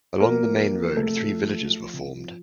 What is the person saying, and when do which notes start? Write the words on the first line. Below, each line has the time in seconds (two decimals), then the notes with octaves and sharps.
Along the main road three villages were formed.
0.20 F3 A#3 A#4
0.40 F3
0.59 F3
0.78 F3
0.97 C3 A3 A4
1.16 F3
1.36 F3
1.56 F3
1.74 F3
1.93 C3
2.12 F3